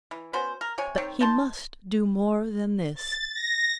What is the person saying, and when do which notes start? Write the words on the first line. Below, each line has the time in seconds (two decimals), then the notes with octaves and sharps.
But he must do more than this.
0.11 E3
0.33 B3 C#4 F#4 C5
0.61 A#4
0.78 C3 C#5 G#5
0.97 D#3 C4 C#5
1.21 D#4 A5 C6
2.95 A6
3.34 A#6